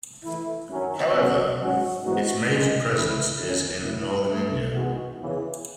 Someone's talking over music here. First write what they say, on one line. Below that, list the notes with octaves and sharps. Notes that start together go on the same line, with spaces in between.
However, its major presence is in Northern India.
E3 A3 E4
F#2 D#3 F#3 C#4
B2 F#3 C#4 F#4
G#2 F#3 C#4 F#4
G#2 E3 B3 D#4 F#4
F#2 D#3 G#3
E3 A3 E4
D#3 F#3 C#4
A2 F#3 A3 E4
A2 E3 A3
E2 D#3 G#3 B3 F#4
E2 C#3 E3